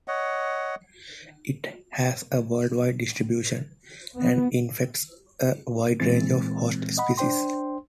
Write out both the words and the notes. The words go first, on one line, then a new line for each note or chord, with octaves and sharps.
It has a worldwide distribution, and infects a wide range of host species.
C#5 D#5 F#5
B3
A#2 E3 G#3 C4 A6
D#5 F#5 B5
D4 C5 G5 C6